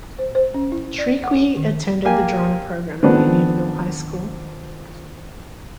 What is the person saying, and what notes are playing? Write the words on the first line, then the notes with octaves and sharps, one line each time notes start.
Chriqui attended the drama program at Unionville High School.
C5
C5
C#4
E4
D5
F#5
D#3
A#3 G4 G#5
D#3 F3 G#3 B3 C4 D4